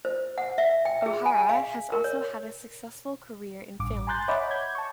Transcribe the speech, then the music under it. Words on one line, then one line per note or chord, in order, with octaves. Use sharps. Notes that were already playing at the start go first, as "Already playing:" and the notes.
O'Hara has also had a successful career in film.
C5
F#5
E5
G5
G#4
G#5
F5
A#4
C#5
A1 G2 D6
G#5 A#5 C6 F#6 G6 A6
C#5 D#5 E5 F#5 B5 D6
G6 G#6
A5 C#6